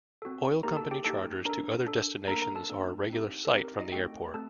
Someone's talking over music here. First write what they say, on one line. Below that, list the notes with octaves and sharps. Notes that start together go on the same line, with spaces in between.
Oil company charters to other destinations are a regular sight from the airport.
C4 F#4 A4
A#3 D#4 G4 A#4 A#5
A4 A5
G4 G5
A#3 D#4 G4 A4 A5
D4 A4 A#4 A#5
D4 A4
A#3 D4 A4 A#4 A#5
A#4 A#5
A4 A5
A#3 D4 A4
C4 D#4 G4
A4
C4 D#4 G4 A#4
A#4
D#4 D#5
A3 C4 F#4 G4 A4 G5
A3 C4 A4 A5